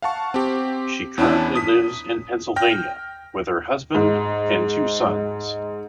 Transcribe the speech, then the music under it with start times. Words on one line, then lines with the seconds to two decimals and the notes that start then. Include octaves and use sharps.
She currently lives in Pennsylvania with her husband and two sons.
0.02 F5 F#5 A5 C#6
0.34 C4 G4
1.18 E2 C#4 D4 E4 A5
1.55 D#6 B6
2.56 G5 F6 A#6
3.95 G#2
5.04 G#2